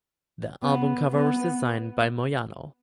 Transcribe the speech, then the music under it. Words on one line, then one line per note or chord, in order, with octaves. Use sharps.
The album cover was designed by Moyano.
B3
B3